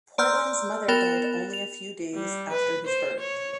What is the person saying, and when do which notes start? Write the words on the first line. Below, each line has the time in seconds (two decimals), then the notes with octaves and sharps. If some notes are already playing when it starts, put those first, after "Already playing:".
Portland's mother died only a few days after his birth.
0.18 D5 A#5 C6 E6 F6 G6
0.88 B3 A#4 G5 A6 E7
1.53 F7
2.14 G3
2.52 B4
2.87 C5
3.20 C#5